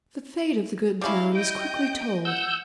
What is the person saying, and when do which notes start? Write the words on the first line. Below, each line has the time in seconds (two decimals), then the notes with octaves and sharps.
The fate of the good town is quickly told.
1.01 G3 C#4 E4 F5
1.35 D#5 G5 G6
2.25 F#5 E6 G6